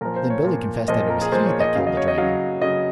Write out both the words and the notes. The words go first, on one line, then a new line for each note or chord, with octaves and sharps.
Then Billy confessed that it was he that killed the dragon.
A#2 F3 A#4
C5
C#5
A#2 F3
A#2 F3 D#5
A#4
G#4
A#2 F3 C5
C#5
D#5
C#3 F#3 F5
D#5
C#5
D#5
C#3 F#3 F5
C#3 F#3 D#5